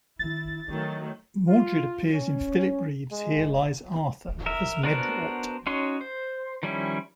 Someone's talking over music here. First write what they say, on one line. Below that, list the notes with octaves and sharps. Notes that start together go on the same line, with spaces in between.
Mordred appears in Philip Reeve's Here Lies Arthur, as Medrawt.
D#3 D4 E4 A6
D#3 F#3 A3 D4
F4
C#4
G#3
A#4 E5
B3 D4 F#4 A#4 C5
C#4 D#4 F#4 C#5 C6
C5
D#3 F3 G3 C#4 E4